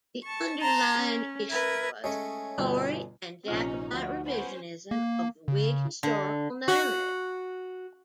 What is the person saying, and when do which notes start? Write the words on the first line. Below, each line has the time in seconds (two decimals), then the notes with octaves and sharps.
The underlying issue was Tory and Jacobite revisionism of the Whig historical narrative.
0.24 A5 C#6
0.61 A5 A#5 C6
0.98 C#4
1.50 A#4 B4 E5 G#6
2.04 G#3 A3 C#4 C#5
2.58 G1 B2
3.48 A#1 C3 C#4 D#4 F4 F#5
3.92 D2 F3 F#4
4.26 B3 C#4 C5
4.91 A#3
5.48 C#3
6.03 D3
6.68 F#4